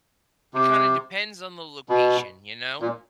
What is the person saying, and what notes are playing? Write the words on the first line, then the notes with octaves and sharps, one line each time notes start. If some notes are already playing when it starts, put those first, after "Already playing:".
it kinda depends on the location, you know?
C3
B2
A#2